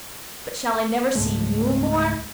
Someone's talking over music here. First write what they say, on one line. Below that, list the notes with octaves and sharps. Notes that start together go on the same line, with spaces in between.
But shall I never see YOU more?
C#2 G#2 G#3 A3